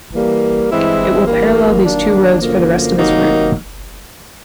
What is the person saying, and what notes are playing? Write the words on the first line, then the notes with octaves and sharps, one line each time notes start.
It will parallel these two roads for the rest of its route.
E3 G3 A#3
G2 E3 G#3 C4 E4
G2 E3 G3 A#3
D#3 F#3 A#3 D4
F#2 D3 F3 A#3
C3 D#3 F#3 A#3 D#4